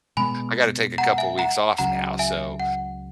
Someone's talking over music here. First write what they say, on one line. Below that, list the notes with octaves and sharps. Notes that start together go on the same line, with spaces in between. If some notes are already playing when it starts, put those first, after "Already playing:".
"I gotta take a couple weeks off now," so
B2 G#3 B3 G#5 B5
F#5 A#5
E5 G#5
F#5 A#5
C#2 C#3 F#3 F#5 A#5
E5 G#5
F#5